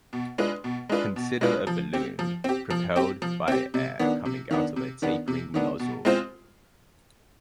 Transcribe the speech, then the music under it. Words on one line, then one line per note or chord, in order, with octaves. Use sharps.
Consider a balloon propelled by air coming out of a tapering nozzle.
B2
G#3 D4 F4 B4
B2
G#3 D4 F4 B4
B2
G#3 D4 F4 B4
F3
C4 G4
F3
C4 G4
F3
C4 G4
F3
C4 G4
C3
D#3 B3 D4
C3
D#3 B3 D4
C3
D#3 B3 D4
C3
D#3 B3 D4
B2
G#3 C4 F4 C5